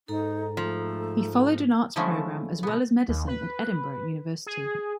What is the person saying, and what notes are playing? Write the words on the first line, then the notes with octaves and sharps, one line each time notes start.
He followed an arts programme as well as Medicine at Edinburgh University.
G#2 D#4 A4 A#5
F3 A3
D3 F3 G#3 A3 C#4 E4
B2 B3
D#2
B4
G#4